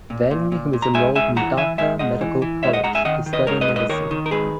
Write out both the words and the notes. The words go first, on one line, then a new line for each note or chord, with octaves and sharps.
Then he was enrolled in Dhaka Medical College to study Medicine.
A#2
A#2
A#2
A#2
A#5
G#2 E5 G#5
G#2 E5 G#5
E3 F#5 A#5
E3 E5 G#5
G#2 E5 G#5
G#2 D#5 F#5
E3
E3
G#2 C#5 E5
D#5 F#5
G#2 F#5 A#5
E5 G#5
D#3 D#5 F#5
D#3
B4 D#5
G#2 A#4 C#5
B4 D#5
G#2
B4 D#5
D#3 A#4 C#5
D#3
A#4
G#2 G#4 B4